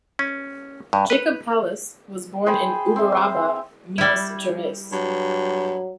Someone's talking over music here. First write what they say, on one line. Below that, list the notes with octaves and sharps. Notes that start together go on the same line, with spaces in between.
Jacob Palis was born in Uberaba, Minas Gerais.
C#4
G2
B4
G#4 C5 G5 B5
C4 C5 E5 C6
G3 E4
G2 F#3